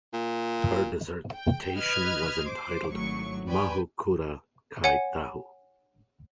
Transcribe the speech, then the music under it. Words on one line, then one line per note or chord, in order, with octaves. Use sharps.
Her dissertation was entitled "Mahu Kura Kai Tahu".
A#2
G5
B4 D#5 F6 G#6
C5 D6
G#1 A2 F#3 C#6
B4 D5 G5 G#5
C#5 F#5 G#5 C#7